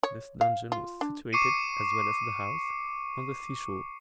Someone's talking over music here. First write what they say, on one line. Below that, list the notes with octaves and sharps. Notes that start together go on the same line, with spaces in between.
This dungeon was situated, as well as the house, on the seashore.
C#5
F5
F4
D4
C#6 D6 C7 C#7 D#7